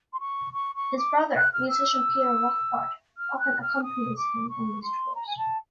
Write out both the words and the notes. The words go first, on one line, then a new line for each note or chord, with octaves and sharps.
His brother, musician Peter Rothbart, often accompanies him on these tours.
C6
C#6
C#6
C#6
D6
F#6
F6
E6
F6
F#6
F6
D#6
D6
C#6
C6
A#5
G#5
A5